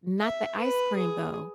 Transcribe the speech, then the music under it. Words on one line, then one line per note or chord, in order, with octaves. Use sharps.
not the ice cream though,
E5
B4
G#4